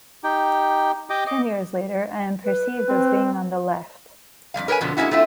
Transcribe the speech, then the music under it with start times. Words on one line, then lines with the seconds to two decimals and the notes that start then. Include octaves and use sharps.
Ten years later I am perceived as being on the left.
0.24 D#4 G4 G5
1.10 G4 D#5 G5 D6 D#6
1.27 D#5 D6
2.44 B4
2.89 C4
4.54 F2 G#2 G3 F5
4.68 A#4 B4 C#5 F5 G#5
4.81 F2 B2 D3 F3
4.97 G#3 A#3 C4 C#4 E4 F#4
5.11 A3 C4 E4 F4